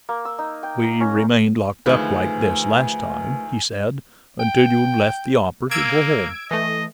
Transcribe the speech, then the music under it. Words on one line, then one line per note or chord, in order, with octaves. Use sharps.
"We remained locked up like this, last time," he said, "until you left the Opera to go home."
A#3
E6
D#4
G5
A#5
C#4
D2 D#3 F3 G#3 A3 B4 G#5
G5
A#3 E6 G#6 D7
E3 A3 D#5